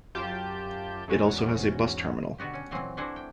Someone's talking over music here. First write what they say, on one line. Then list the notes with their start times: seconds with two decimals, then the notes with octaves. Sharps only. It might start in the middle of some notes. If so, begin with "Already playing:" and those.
It also has a bus terminal.
0.15 F#2 F4 G4 A5 G6
1.08 E2 G#2 C#4 F#4
2.38 B2 D3 B3 F#4 G4
2.54 C#4
2.71 A#2 E3 F#3 C4
2.97 E3 A3 D4 E4 F#4 C5
3.16 G5